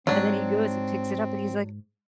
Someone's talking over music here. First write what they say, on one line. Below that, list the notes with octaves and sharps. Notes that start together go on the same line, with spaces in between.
and then he goes and picks it up and he's, like,
D#2 G#2 F#3 C4 D4